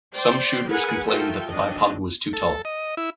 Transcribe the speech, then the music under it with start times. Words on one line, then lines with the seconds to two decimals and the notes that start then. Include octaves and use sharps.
Some shooters complained that the bipod was too tall.
0.13 C5 D5 G5
0.67 G#4 A#4 B4 F#5 G#5
1.08 F4 F#4 A4 A#4 E5 G5
1.50 F#3 C4 D4 D#5
2.33 A4
2.65 D#5
2.97 E4